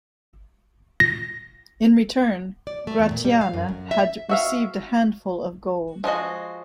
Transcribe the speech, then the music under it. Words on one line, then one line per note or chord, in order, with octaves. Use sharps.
In return, Gratianne had received a handful of gold.
A#6
D5
A3
E2
A#2
G3
F5
F#2
F#2
E5
F#4 E5 F5
F3 G#3 F#4 D#5